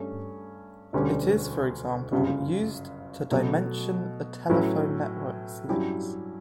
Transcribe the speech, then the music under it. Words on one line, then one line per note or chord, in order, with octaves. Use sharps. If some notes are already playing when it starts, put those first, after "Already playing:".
It is, for example, used to dimension a telephone network's links.
Already playing: G2 A3 C#4
E1 D2 D3 G3 C#4
G1 F#2 C#3
B2 F#3 A3
A2 F#3 C#4 E4 B4
G2 F#3 C#4 E4 G4